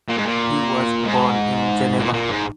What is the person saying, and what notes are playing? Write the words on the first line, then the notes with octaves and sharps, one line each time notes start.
He was born in Geneva.
A#2
G#2
A#2
G#2
A#2
A#2
G#2